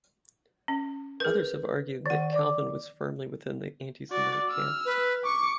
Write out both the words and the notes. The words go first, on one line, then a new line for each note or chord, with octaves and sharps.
Others have argued that Calvin was firmly within the anti-semitic camp.
C#4
G#4 A#4 B4 G6
D#3 D5 F#5
D5 D6
F#4 D5
E6 F6
B4
C#6 D6 C#7